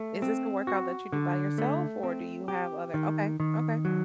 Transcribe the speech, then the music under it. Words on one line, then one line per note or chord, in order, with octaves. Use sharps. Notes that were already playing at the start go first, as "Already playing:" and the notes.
Is this a workout that you do by yourself or do you have other okay, okay.
Already playing: A3
C4
F#4
D3
A3
C4
G4
D#3
D#3
F#3